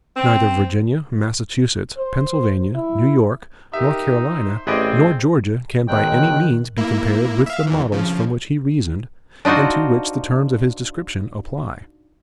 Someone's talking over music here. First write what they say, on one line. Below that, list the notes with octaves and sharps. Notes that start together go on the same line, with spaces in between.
Neither Virginia, Massachusetts, Pennsylvania, New York, North Carolina, nor Georgia can by any means be compared with the models from which he reasoned and to which the terms of his description apply.
C4
C5
E4
D#4 G4 A#4 E5
C5
A1 C4 G#4 B4 D5 D#5
B2 D#3 F#3 G#3 G5 F#6
A#3 E4
E5 F5
E2 E3
C#3 F3
D4 D#4 F4 F#4 C5